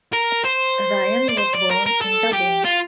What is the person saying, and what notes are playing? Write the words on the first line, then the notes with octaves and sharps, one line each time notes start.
Ryan was born in Dublin.
A#4
C5
D5
C5
D5
A#4
A#4
A4
G4
F4